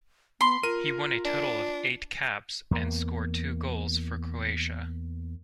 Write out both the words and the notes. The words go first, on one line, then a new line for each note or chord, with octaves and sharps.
He won a total of eight caps and scored two goals for Croatia.
B3 B5 C6
F4 A#4 D#7
D4
E2 A#3